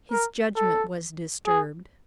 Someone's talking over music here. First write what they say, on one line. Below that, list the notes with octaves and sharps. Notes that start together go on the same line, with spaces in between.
His judgment was disturbed.
A#4
A4
G#4